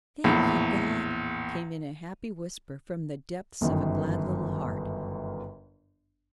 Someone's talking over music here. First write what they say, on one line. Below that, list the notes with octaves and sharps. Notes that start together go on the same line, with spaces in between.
"Thank you, God," came in a happy whisper from the depths of a glad little heart.
A#1 E2 A2
G1 F#2 D#3 E3